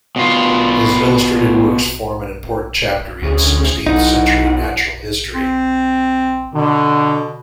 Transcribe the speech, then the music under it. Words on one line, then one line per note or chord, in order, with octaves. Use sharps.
His illustrated works form an important chapter in sixteenth century natural history.
B2 F4
D2 C#4 G#4
B1 D#4 E4 F#5
C4
B2 D3